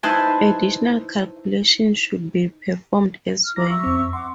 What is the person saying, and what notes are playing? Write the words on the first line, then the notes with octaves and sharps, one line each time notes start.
Additional calculations should be performed as well.
D#4 E4 B4 C5 G#5 A5
F6
E4 A#5 D6 A#6
E5 C#6 E6
F2 C4
F#5 C6 D6